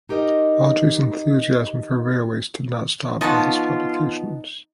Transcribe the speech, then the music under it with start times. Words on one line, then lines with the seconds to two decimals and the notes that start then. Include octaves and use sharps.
Awdry's enthusiasm for railways did not stop at his publications.
0.09 D#4 G4 A#4 D#5
3.21 F3 B3 D#4 F4 A5 C#6